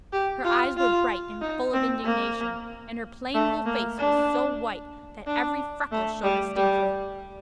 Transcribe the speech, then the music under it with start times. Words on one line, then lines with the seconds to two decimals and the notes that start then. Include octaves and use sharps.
Her eyes were bright and full of indignation, and her plain little face was so white that every freckle showed distinctly.
0.13 G4
0.44 F4
0.77 F4
1.42 D#4
1.73 C4
2.05 A#3
3.35 A3
3.66 A#3
3.99 D4
5.27 D4
5.92 A3
6.23 G3
6.56 G3